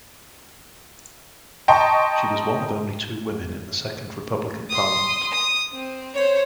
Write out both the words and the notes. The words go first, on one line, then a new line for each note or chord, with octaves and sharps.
She was one of only two women in the Second Republican parliament.
D#5 G5 A5 A#5 C6 C#6
C6 D#6
D#6
C4
C5 C#5